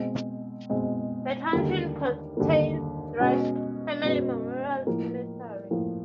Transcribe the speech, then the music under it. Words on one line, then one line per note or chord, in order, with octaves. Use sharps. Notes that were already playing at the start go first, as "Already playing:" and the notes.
The township contains Dretsch Family Memorial Cemetery.
Already playing: B2 G#3 C4
B2 G#3 C4
D#2 D3 G3 A#3
D#2 D3 G3 A#3
B2 G#3 C#4 F#4 B4
B2 G#3 C#4 F#4 B4
A2 F3 A#3
A2 F3 A#3